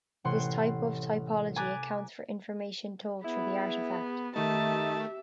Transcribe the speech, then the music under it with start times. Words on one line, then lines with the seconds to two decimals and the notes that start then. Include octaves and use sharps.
This type of typology accounts for information told through the artifact.
0.24 A1 C3 F#5 C6
1.56 G#5 A#5 D6 F#6 A6 B6
3.24 B3 E4 G#4
4.36 D#3 A3 D#4 G4 E5 A5